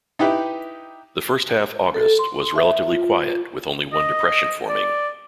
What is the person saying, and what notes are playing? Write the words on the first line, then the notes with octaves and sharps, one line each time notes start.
The first half August was relatively quiet, with only one depression forming.
D#4 E4 G4 B4
A4
C6
E5
F4
D#5
D5